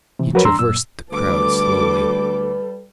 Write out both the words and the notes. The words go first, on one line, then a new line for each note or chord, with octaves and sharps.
He traversed the crowd slowly.
C3 E3
F3 F#3 F#4 A#4 B4 C#5
E2 G2 D4 A#5 C6 E6
F#2 A#2 E6
D2 G3 A4 B4 D6